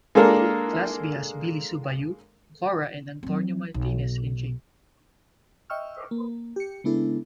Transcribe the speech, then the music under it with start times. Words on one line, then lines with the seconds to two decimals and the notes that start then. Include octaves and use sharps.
Class B has Billy-Sue Bayou, Cora and Antonio Martinez, and Jake.
0.15 G#3 A#3 D4 A4 A#4
3.23 F#3 C4
3.74 B1
5.70 D#5 E5 G5 C#6 E6 F6
6.11 A#3
6.56 G4 C#7
6.84 C#3 G#3 B3 D4 E4 A4